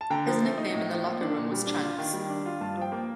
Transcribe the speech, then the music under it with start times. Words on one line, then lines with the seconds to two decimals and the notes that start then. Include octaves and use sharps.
His nickname in the locker room was Chunks.
0.01 A5
0.10 D3 G5 A#5
0.27 F3
0.43 A3
0.58 D#4
0.74 A2
0.89 F3
1.05 A#3
1.21 D4
1.35 A#2
1.52 G3
1.67 D4
1.83 F4
1.98 D#3
2.14 G3
2.29 D4
2.46 F4
2.61 G2 F5 A5
2.77 F3 G5
2.92 A#3